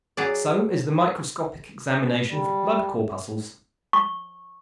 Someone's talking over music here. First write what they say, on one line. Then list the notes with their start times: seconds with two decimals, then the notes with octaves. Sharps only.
So is the microscopic examination for blood corpuscles.
0.17 F#3 F#4 G#4 D5
2.29 G3
3.93 C#6